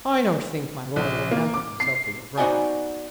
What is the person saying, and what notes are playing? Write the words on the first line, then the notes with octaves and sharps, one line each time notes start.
"I don't think my Lord will hamper himself for your brother."
A#1
A#3
D6
C7
B3 D#4 F#4 C5 D5 G#5